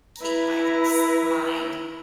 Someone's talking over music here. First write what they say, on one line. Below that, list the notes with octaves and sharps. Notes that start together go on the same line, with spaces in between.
keep my s mind
E4 B4 A#5